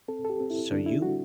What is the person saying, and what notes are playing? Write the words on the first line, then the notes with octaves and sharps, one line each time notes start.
So you
C4 A4
A4
G4
C4
E4
D3 D4
E4
G3 F#4